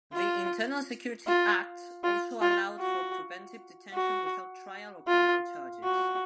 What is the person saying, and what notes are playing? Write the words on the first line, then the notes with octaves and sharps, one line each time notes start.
The Internal Security Act also allowed for preventive detention without trial or criminal charges.
F4
F4
F4
F4
F#4
F#4
F4
F#4